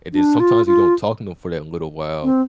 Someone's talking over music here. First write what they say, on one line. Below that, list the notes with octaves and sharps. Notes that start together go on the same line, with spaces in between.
and then sometimes you don't talk to 'em for that little while,
D4
F4
F4
C4